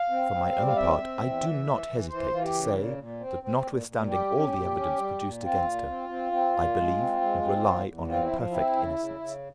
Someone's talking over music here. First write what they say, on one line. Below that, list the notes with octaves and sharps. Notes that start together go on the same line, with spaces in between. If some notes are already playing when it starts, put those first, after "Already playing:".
For my own part, I do not hesitate to say that, notwithstanding all the evidence produced against her, I believe and rely on her perfect innocence.
Already playing: F5
C4
C4
G3
F5
C4 E5
C4
E2
E3
E3
E3
E3 C5
E3 F4
G4
C#3
A#2
A#2
C4
C4
A#2
A#2
G3 G4
C#4
A#2
C#4
G3
A#2
C4 F4
A#2
C4
C4
C4
A#2
G#3
C4
G#3
C4
E2
E2
C4 F4
E4
F3
C4 E4
C#3
C#3
C#3